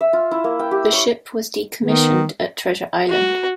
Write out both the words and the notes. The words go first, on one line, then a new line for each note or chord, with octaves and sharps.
The ship was decommissioned at Treasure Island.
E5
F4
E4
A#3
G5
G4
C#5
D#3 B3
F#4